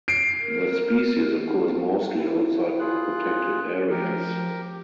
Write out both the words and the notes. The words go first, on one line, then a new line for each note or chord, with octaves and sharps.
The species occurs mostly outside of protected areas.
C7 D7
A#4
E4
F4 G#4 F#6
F3 G4 A#4